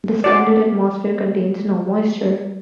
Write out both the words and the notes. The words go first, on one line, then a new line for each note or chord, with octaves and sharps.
The standard atmosphere contains no moisture.
F#4 D5